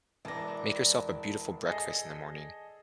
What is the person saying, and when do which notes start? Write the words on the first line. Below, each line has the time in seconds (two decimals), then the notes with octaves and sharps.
make yourself a beautiful breakfast in the morning.
0.25 E1 E3 D4 A5 A#6
1.66 G#4 A4 D#5